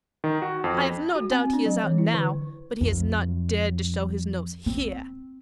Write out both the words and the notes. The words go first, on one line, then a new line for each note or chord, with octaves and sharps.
I have no doubt he is out now, but he has not dared to show his nose here.
D#3
F#4
F2
F#4
C4
D4
F#3
E3
E4
D3
F2
C4